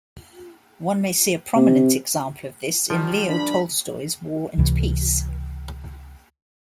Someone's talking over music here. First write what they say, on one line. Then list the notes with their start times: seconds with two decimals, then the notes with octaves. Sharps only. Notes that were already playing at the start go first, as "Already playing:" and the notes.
One may see a prominent example of this in Leo Tolstoy's "War and Peace".
1.56 C3
2.90 D#3 F3 G3
3.29 G2 A#2 D4 B5
4.58 C#2 C3 E3